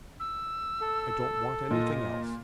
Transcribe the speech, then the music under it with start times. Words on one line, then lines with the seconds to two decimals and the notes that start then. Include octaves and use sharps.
I don't want anything else.
0.20 E6
0.81 A4
1.70 A#2 D#5